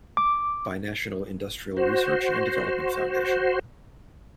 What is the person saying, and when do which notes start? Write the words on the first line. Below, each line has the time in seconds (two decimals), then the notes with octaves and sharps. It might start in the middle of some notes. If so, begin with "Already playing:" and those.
Binational Industrial Research and Development Foundation.
0.17 D6
1.77 F#4 C5